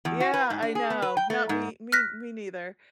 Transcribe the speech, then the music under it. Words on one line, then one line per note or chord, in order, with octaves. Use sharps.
Yeah, I know, not me me me neither,
E2
F#4
B4
G#2
D4
G#4
B3
B4
G5
A3
G#2
F6 F#6 A#6 B6